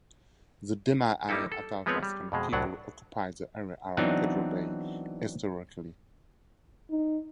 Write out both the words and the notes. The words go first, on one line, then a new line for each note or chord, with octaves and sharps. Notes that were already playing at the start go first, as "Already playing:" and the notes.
The Dena'ina Athabascan people occupied the area around Pedro Bay historically.
G3 A#3 D#4 E4 A4
A4
F3 G#3 B3 C4 B4 C#5
G3
F2 B2 G#3
C2 A2 F#3 D4 F#5
E3 F#3 B3 C4 D4 D#4
D#4